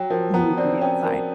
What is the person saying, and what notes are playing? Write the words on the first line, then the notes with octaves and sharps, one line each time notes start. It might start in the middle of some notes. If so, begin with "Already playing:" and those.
and we can be outside.
Already playing: F#3 G5
F3 A#4
B3 A#5
C4 D5
C#4 G5
A#4